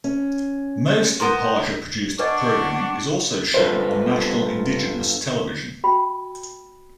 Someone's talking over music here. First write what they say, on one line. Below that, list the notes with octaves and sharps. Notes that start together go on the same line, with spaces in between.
Most Imparja-produced programming is also shown on National Indigenous Television.
C#4
B3 A#4 C5
D4 B4 D5 D#5 F#5 C#6 D6
G2 F4 A4 B4 C5
F#4 G5 B5